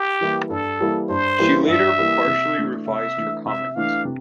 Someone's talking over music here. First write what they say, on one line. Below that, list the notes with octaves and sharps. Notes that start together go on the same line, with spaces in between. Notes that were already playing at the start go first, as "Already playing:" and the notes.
She later partially revised her comments.
Already playing: G4
E3 G3 A#3 E4
G2 A4
E3 G3 A#3 E4
G2 C5
E3 G3 A#3 E4
G2 E5
E3 G3 A#3 E4
C3
E3 A3 D4
C3 E5
E3 A3 D4
C3 E5
E3 A3 D4 F5
C3